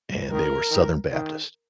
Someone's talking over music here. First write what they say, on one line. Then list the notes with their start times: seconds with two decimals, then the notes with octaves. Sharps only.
and they were Southern Baptists.
0.31 D#3 A#4
0.71 D#3
1.12 D#3